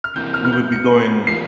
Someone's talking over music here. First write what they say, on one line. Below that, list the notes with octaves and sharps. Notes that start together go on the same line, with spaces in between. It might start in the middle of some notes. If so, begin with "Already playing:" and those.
we would be going
F6
C3 E3 A#3 G6
F6
F6
G6
C#7
E3 G3 A#3 F4 C7